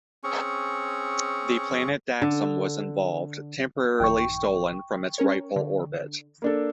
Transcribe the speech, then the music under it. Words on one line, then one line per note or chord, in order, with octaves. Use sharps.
The planet Daxam was involved, temporarily stolen from its rightful orbit.
C4 C#4 G#4 C#6
D3
A1 F#2 D#3 G5 C#6
C#4 A#4 C#5
D3
A#3 D4 A4